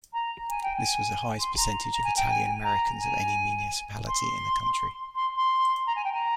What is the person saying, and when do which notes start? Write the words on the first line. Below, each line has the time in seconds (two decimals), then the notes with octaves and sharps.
This was the highest percentage of Italian Americans of any municipality in the country.
0.13 A#5
0.49 G#5
0.63 G5
0.76 G#5
1.39 C6
1.57 A#5
1.93 A#5
2.04 G#5
2.16 G5
2.29 G#5
2.64 A#5
3.00 G#5
4.08 C6
5.15 C6
5.37 C6
5.87 A#5
5.96 G#5
6.04 G5
6.14 A#5